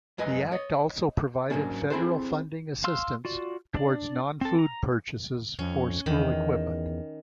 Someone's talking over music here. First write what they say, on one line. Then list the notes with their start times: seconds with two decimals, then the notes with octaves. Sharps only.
The act also provided Federal funding assistance towards non-food purchases for school equipment.
0.18 F#2 G#3 B4 D#5 G#5
0.52 C#5 D#5
1.50 G#2 F#3 A3 A#3 C#4 D4
1.90 C4 E4 G#4 A4 C5
2.84 F5 C6 E6 F6
3.25 F4 F#4 D5
3.74 D4 D5
4.41 C4 A4
4.59 A#5
5.59 F2 C#4
6.06 E2 D#3